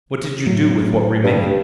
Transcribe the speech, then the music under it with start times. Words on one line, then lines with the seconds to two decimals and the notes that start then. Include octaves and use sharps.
"What did you do with what remained?"
0.46 A2 F#3
1.24 G2